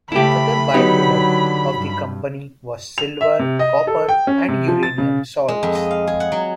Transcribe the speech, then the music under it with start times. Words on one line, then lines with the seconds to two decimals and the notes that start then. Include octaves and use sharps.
The other byproduct of the company was silver, copper, and uranium salts.
0.12 C#3 A3 E4 G4 B5
0.74 D3 F#3 B3 D#4 G4 C#5
1.75 G2
2.98 F7
3.21 E5
3.39 C3
3.59 D#5
3.87 A4
4.09 G5
4.27 C#4
4.48 C3
4.68 F3
4.83 A6
4.98 C#3
5.48 G#3
5.63 F2
5.75 D#5
5.91 F5
6.07 G#4
6.20 F#5
6.32 F#3